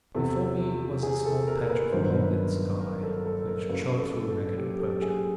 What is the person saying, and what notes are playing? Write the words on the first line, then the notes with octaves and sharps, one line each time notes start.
Before me was a small patch of moonlit sky which showed through a ragged aperture.
E2 C3 F3 A4
G#4
A4
A#4
A#4
B4
G1 F#2 D#3 C5
B4
A#4
B4
A#4
A4
A4
A#4
F#1 F#2 C#3 B4
A4
A4
G4
A4
G#4